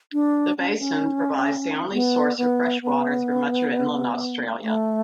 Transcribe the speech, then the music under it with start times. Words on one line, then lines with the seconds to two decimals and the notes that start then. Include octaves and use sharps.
The basin provides the only source of fresh water through much of inland Australia.
0.13 D4
0.59 C#4
0.68 D4
0.79 C#4
1.93 B3
2.38 B3
2.82 B3
4.63 A3